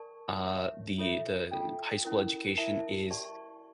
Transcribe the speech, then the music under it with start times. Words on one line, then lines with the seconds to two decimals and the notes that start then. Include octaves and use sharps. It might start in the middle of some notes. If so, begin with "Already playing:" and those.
uh, the the high school education is
Already playing: A#4 D5 A5 C#6
0.45 G4 C#5 E5
0.98 F4 A4 C#5 E5
1.51 F4 A4 D5 G5
2.05 C#4 E4 A#4
2.57 E4 A#4 E5 A5
3.11 G4 D5 A5 C#6